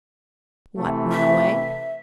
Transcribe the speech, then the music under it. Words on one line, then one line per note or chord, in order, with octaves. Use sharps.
"What, run away?"
C3 E3 A3
E5